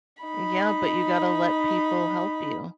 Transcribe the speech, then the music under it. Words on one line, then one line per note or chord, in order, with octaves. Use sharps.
yeah, but you gotta let people help you.
D#4 B5